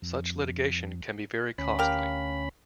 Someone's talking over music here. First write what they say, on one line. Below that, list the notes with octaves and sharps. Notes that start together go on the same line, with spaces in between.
Such litigation can be very costly.
F2
D2 C#4 B5
G4 A#4 F5